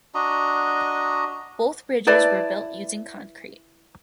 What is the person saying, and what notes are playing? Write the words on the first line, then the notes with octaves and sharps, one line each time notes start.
Both bridges were built using concrete.
D4 F#4 D#5 A#5
E4 B4 D5 A5